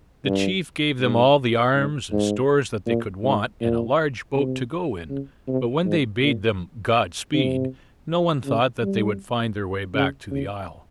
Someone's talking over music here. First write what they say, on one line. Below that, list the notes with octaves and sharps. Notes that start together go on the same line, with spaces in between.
The chief gave them all the arms and stores that they could want, and a large boat to go in, but when they bade them "God speed," no one thought that they would find their way back to the isle.
G2
G#2
G#2
G#2
A#2
G#2
A#2
C3
C#3
C3
G#2
A#2
C3
C#3
G3
C#3
C#3